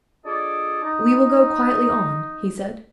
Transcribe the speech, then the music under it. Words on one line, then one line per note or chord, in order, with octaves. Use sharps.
"We will go quietly on," he said.
D4 F4 G#4 A4 D5 D#5
D#4